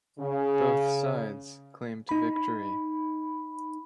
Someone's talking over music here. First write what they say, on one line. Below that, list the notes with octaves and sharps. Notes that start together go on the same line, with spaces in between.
Both sides claimed victory.
C#3
D#4 B5